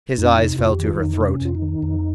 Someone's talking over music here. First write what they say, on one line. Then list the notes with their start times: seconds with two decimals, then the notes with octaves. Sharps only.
His eyes fell to her throat.
0.18 F2 D#4
0.26 C#4
0.34 C3 D#4
0.58 F2 F4
0.72 G4
0.79 D#3
0.86 F4
1.00 F2 D#4
1.21 C3
1.28 C#4
1.41 F2 F4
1.55 D#4
1.62 D#3
1.82 F2